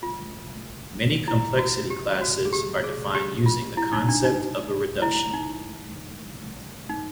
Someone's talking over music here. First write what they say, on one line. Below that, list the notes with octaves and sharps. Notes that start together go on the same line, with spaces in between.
Many complexity classes are defined using the concept of a reduction.
F4
E4
F#4
G4
F#4
G#4
G4
G#4
G4
F4
E4
D#4
D4
D#4
E4
D#4
D#4